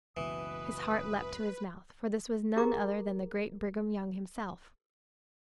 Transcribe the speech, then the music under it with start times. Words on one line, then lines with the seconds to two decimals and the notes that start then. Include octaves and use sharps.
His heart leapt to his mouth, for this was none other than the great Brigham Young himself.
0.17 F#1 C#2 B2 E3 B4 D#6
2.56 G4 G#4 A#4 A#5 D6